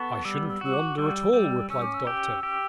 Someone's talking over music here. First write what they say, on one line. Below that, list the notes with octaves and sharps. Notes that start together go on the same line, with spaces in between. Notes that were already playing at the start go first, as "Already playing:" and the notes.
'I shouldn't wonder at all,' replied the doctor.
Already playing: B3 A4 C#6
G3 E6
E6
F#4 E6
D6
G3 E6
G3
C#4 E6
D6
E6
G4
G4